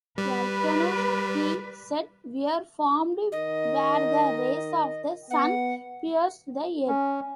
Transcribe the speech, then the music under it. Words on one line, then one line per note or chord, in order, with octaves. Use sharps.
Volcanoes, he said, were formed where the rays of the sun pierced the earth.
G3 B4
D#3 D#5
B3 F#5
C#4